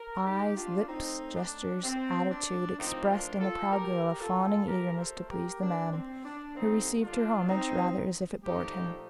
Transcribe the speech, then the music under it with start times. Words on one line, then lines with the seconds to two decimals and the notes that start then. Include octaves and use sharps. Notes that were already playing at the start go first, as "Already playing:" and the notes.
Eyes, lips, gestures, attitude expressed in the proud girl a fawning eagerness to please the man, who received her homage rather as if it bored him.
Already playing: A#4
0.25 D#4 G4
0.56 D4 F4
0.88 A2 A3 C4 D#4
1.35 D4
1.83 C4
2.29 D4
2.77 A2 F3 A#3 C4 D#4
3.08 D4 F4
3.40 F4 A4
3.71 G4 A#4
4.19 F4 A4
4.66 A#2 A3 G4 A#4
4.98 A4 C5
5.29 G4 A#4
5.61 D4
5.93 C4
6.24 D4
6.55 D3 G3 A#3 C4 D#4
7.02 D4 F4
7.50 C4 D#4
8.44 A#2 F3 A3 D#4 G4